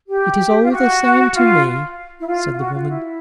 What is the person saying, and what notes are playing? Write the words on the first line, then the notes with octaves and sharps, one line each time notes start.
"It is all the same to me," said the woman.
G4
F4
F#4
F4
E4
F4
F4
F#4
F4
E4